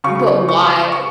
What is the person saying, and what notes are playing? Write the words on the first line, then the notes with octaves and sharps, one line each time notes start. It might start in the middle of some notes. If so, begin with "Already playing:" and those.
But, why?
C#3 F#3 C#6
C#6
C#6